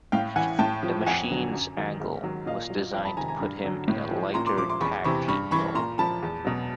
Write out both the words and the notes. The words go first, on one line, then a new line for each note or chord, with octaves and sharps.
"The Machines" angle was designed to put him in a lighter tag-team role.
A2 F5 G5
E3 F#5 G#5
A2 G5 A5
F3
F2 F#5 G#5
D3 F#3
F#2
D#3 F#3
G#2
D#3 F#3
A#2 D#5 F5
F#3
F2 F5 G5
A5 B5
C3 D#3 G#5 A#5
G#5 A#5
G2
D3 F#3
A2
F3
A#2 A#5 C6
C6 D6
F3 C6 D6
C6 D6
E2 B5 C#6
C3 E3 B5 C#6
G2 B5 C#6
E3 B5 C#6
A#2 A#5 C6
F3 A5 B5
E2
B2 F#3